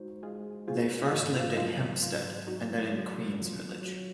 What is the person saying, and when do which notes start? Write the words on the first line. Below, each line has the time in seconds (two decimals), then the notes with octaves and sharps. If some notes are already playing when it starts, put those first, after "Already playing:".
They first lived in Hempstead, and then in Queens Village.
Already playing: G#3 D#4 F#4 C5
0.23 G#3 F4 G#4
0.68 D#4 F4 F#4 G#4 C5
1.12 G#2 D#4 F#4
1.35 F4
1.53 D#4
1.57 F#3 C4 F4
2.02 G#2 F4
2.47 F#3 C4 D#4 F#4
2.93 F#3
3.37 C4 F4
3.82 F#3